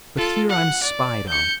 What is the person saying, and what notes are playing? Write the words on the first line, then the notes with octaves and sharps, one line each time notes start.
But here I'm spied on.
F4 A4
F#5
D5
G6 C#7